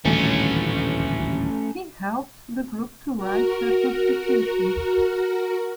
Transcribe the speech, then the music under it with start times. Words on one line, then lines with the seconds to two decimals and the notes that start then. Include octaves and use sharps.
He helped the group to write their Constitutions.
0.05 D#1 A1 D2 A3 C#4
3.17 F#4 A#4